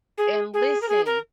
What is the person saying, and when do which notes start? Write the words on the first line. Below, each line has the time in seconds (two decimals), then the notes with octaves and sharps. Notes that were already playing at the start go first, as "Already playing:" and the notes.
And listen,
0.18 G#4
0.54 G#4
0.81 A#4
0.89 G#4
1.06 A#4